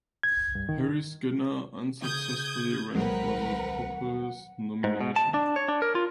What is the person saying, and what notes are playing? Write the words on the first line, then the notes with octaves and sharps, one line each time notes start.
Harry Skinner unsuccessfully ran for the Populist nomination.
G#6
G2
D#3
C#3 D#6 G6 G#6
D#1 C2 F#3 G#3 C4 A#4 B4 F#5
G#2
B2
A5
D4
C#5
D4
A#4
F4